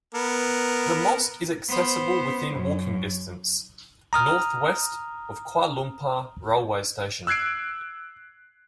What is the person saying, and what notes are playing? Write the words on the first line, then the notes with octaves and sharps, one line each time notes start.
The mosque is accessible within walking distance north west of Kuala Lumpur railway station.
B3 A#4
B3 C5
F#2
A#5 D#6 F6
E6 F#6 G#6 C7 D7